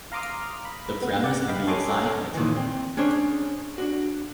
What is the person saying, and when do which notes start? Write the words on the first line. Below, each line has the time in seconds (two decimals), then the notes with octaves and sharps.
The parameters can be assigned and returned.
0.12 F5 A#5 C6 D6 D#6 F6
0.65 B5
1.03 B3
1.24 D5 F#5
1.48 D#5 F5 G5 B5
1.67 A4 C#5 D#5 G#5 C6 D6
2.35 A#2 D#3 E3
2.56 C4
2.97 C#4 D4 G#4 C5 C#5
3.78 D4 F#4